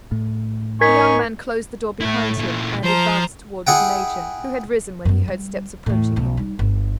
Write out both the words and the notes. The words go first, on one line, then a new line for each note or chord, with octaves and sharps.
The young man closed the door behind him, and advanced towards the major, who had risen when he heard steps approaching him.
A2
D#4 A#4 G#5 C#6 G#6 B6
A2 A3 E4
A#2 E3
F3 C5 A#5
E4 G#4 F#5 G5
F#2 B3
G3
E2 A2
B1 C#4
G3 D#4
G1